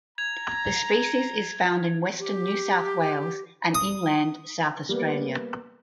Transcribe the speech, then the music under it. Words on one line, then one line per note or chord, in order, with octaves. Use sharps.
The species is found in western New South Wales and inland South Australia.
A#5 G#6 F7
G4
D#6
G3 A#3 B3